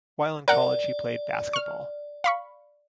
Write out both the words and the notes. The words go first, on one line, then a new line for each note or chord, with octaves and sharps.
While in college, he played basketball.
A#4 D5 F#5
C#6 F6
F5 B5 C#6